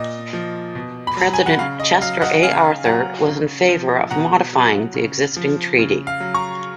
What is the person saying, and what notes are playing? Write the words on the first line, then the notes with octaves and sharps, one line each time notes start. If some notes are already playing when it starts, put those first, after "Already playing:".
President Chester A. Arthur was in favor of modifying the existing treaty.
Already playing: A#2 D#5
F3
B2
B5
F#3 A#5
G#5
F#5
C#3 F5
D#5
F#3 F5
D#5 F#5
C#3 F5 G#5
F#3 F#5 A#5
C#3
F3
B2 F#5 A#5
F#3
C#3
F3
C#3
F5
F#3
A#5 C#6